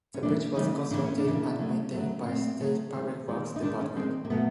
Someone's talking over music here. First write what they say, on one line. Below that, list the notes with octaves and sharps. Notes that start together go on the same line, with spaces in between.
The bridge was constructed and maintained by State Public Works Department.
C#4
C#3 E3 G3 A#3 D4
C#3 E3 G3 A#3 D#4
C#3 E3 G3 A#3 D4
C#4
D4
C#3 E3 G3 A#3
C#3 F#3 A3
C#3 F#3 A3
C#3 F#3 A3 C4
C#3 F#3 A3
D#3 G#3
D#3 G#3
D#4
D#3 G#3 D4
C#4
D#3 G#3 C4
A#3
B2 F#3 A3 B3